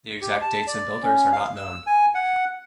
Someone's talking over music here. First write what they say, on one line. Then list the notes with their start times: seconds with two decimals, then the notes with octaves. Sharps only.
The exact dates and builders are not known.
0.22 G4
0.41 A5
0.67 D5
1.03 C#4
1.33 F5
1.56 E6
1.87 G#5
2.14 F#5